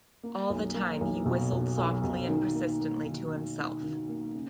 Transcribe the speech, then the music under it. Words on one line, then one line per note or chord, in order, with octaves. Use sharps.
All the time he whistled softly and persistently to himself.
A#3
B1
A#3
B1
B2
B1
B1
B2
D#3
A#3
A#3
D#3
D#3
D#3
D#3
A#3
C#3